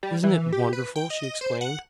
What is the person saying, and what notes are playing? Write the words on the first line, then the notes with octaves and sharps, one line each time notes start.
"Isn't it wonderful!" she exclaimed.
G3
E3
G4
B4
G5
D#5
D#5
C5
F#5